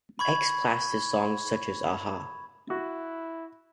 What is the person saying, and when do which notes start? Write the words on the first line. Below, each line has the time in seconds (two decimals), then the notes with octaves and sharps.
X Plastaz songs such as Aha!
0.19 B5 C#6 G#6
2.70 E4 F#4